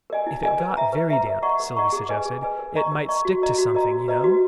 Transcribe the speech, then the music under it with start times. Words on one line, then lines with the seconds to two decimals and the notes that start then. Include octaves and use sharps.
"If it got very damp," Sylvie suggested, "it might stick to something, you know."
0.10 A#4 D#5 G#5
0.27 E4
0.43 A#4 D#5 G#5
0.60 B4
0.77 E5 A#5
0.93 B4
1.10 E5 A#5
1.27 A#4
1.43 D#5 F#5 A#5 C#6
1.60 A#4
1.76 D#5 F#5 A#5 C#6
1.92 G#4
2.09 B4 D#5 G#5
2.26 G#4
2.43 B4 D#5 G#5
2.59 A#4
2.75 D#5 A#5 C#6
2.92 A#4
3.08 D#5 A#5 C#6
3.25 F#4
3.42 A#4 D#5 A#5
3.58 F#4
3.74 A#4 D#5 A#5
3.91 F#4
4.08 B4 D#5 A#5
4.24 F#4